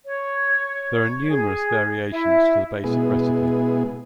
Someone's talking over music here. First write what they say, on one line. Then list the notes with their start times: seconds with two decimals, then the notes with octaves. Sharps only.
There are numerous variations to the basic recipe.
0.05 C#5
1.29 G#4
2.11 E4
2.84 B2 G#3 B3 E4 G#4